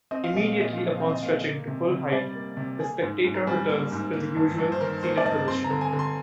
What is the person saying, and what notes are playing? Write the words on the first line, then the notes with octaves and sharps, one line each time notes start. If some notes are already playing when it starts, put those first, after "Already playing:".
Immediately upon stretching to full height, the spectator returns to the usual seated position.
C4 D#5
F5
A#2 D#5
F5
A#2 D#5
F5
F3
D#5
C4 F5
D#5
A#2 F5
D#5
A#3
C3
C3
G3 D5
A#3
C3
A#3 G#4
G#2
G#2
A#4
G3 G#4
A#3
G#2
A#3
G2
G2
C5
D#3 A#4
A#3 C5
D5
G2 D#5
C4 C6
A#5
D3
G#5
D3
C6